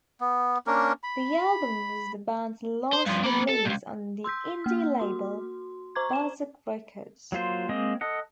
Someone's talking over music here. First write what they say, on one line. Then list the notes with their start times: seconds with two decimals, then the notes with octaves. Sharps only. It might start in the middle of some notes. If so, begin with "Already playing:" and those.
The album was the band's last release on the indie label Barsuk Records.
0.21 B3
0.67 A#3 C#4 D4 A#4
1.03 B5
2.93 C5
3.06 G2 F3
3.24 A#3 B5
3.49 A4
3.66 C#2 A#2
4.24 C6 E6 G6 B6
4.64 A#3 F6
5.00 F#4 C6
5.95 C5 A#5 C#6 D6 G#6
6.13 E7
7.32 F#3 A#3 F4 C5
7.69 G#3 A#3 C4 D#5
8.01 A4 D#5 F#5